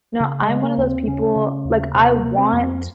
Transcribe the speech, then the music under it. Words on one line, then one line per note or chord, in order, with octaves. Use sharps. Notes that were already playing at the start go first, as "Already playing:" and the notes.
no, I'm one of those people like, I want
C#3
G#3
C#3
A#3
D#2
C4
C#3 C#4
C#3
D#2
C3
A#3
C3
C4
F2 A#3
C4